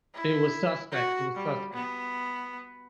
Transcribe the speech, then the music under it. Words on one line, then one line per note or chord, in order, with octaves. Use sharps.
It was suspect, it was suspect.
E4
F#4
G3
B3